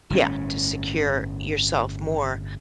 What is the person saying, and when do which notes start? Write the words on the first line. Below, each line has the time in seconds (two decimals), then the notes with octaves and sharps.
yeah, to secure yourself more,
0.10 G1 A2 C#4